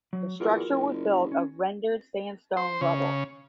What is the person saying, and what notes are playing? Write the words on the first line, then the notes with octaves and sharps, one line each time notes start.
The structure was built of rendered sandstone rubble.
F#3
E2 F4 F#4 A#4
F#1
C#4
C5
C#3